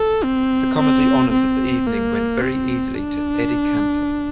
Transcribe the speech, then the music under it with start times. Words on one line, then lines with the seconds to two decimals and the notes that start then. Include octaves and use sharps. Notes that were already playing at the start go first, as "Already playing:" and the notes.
The comedy honors of the evening went very easily to Eddie Cantor.
Already playing: A4
0.24 C4
0.79 C4
1.32 C4
1.87 A#3
2.42 C4
2.95 D4